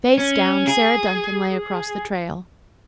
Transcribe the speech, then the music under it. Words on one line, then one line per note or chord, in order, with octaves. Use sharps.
Face down, Sarah Duncan lay across the trail.
C#4
G#4